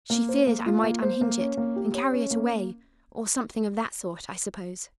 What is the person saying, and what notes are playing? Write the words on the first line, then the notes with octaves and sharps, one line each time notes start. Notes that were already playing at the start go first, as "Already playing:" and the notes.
She feared I might unhinge it and carry it away, or something of that sort, I suppose.
A#3
C5
A#3
F4
A#3
C5
A#3
C#4
A#3
G4
C#5
C#4
A#3